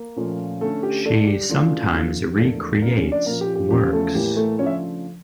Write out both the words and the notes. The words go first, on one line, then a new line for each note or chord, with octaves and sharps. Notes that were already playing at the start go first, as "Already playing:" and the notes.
She sometimes re-creates works.
Already playing: A#3 A#4
A#2 F3 A3 C#4
D3 A3 C#4 A4
G4
D3 A3 D4 A4
G4
C#3 E3 A3 D4 F4
F2 D3 F3 A3
G4
E2 D3 F3 A3 A#3 D4 A4
A4
C#3 F3 A3 A#3 D4 A#4
C#4 C#5
D4 D5
A#2 F3 A#3 C#4 A#4
G4
G4
E2 C#3 F3 C#4 G4
A3 A4
A2 E3 A#3 G4
A3 A4
C#3 F3 A3 C#4 D4 C#5
E5